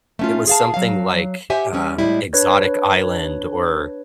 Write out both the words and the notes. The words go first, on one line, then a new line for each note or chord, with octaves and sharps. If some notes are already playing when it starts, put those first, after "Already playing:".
it was something like, um, Exotic Island or,
A3 C#4 F4
G#4 F5 A5
F#3 F5
G4 C5 E5 F#5 G#5
G3 C#4
A2 G3 G#3 E4
D4 B4 C#5